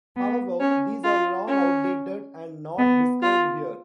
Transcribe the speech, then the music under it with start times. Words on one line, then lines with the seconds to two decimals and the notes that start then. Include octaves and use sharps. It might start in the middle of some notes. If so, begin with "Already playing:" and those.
However these are long outdated and not described here.
0.16 B3
0.59 C#4
1.04 F4
1.47 C#4
2.78 B3
3.22 F4